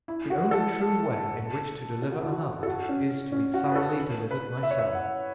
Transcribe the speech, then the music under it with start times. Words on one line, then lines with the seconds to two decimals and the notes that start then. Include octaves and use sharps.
The only true way in which to deliver another is to be thoroughly delivered myself.
0.08 E4
0.30 F#4
0.51 A4
2.02 A4
2.12 F#4
2.21 E4
2.32 F#4
2.63 A4
2.67 F#4
2.89 C#4
3.32 C#4
3.54 F#4
3.72 B4
3.75 A4
4.31 B4
4.63 E5
4.71 C#5
4.79 E5
4.95 F#5